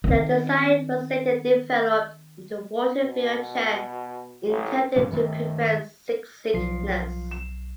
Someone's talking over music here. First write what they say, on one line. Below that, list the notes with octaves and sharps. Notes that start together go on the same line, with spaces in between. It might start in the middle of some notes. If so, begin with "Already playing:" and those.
The design was later developed into a water-filled chair intended to prevent seasickness.
D#3 C4
B2
A1
G2 E3 A#3 C#4
G2 D#3 A3
B1 F3 C7
E7